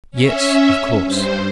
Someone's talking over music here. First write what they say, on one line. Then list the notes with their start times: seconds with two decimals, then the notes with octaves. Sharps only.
"Yes; of course."
0.11 C#4 E5
1.04 G2 C5